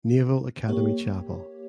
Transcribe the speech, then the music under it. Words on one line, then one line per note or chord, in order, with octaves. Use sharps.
Naval Academy Chapel.
A#3 G4 C#5